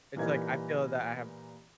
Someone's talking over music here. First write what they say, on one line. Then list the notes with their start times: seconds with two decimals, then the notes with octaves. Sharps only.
It's like, I feel that I have
0.16 A#2 E3 G3 D#4 A#4 G#6